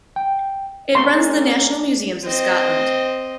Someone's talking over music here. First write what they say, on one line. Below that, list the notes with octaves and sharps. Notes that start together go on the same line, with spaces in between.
It runs the national museums of Scotland.
G5
G#3 A#3 C#4 C6 C#6
C4 D#5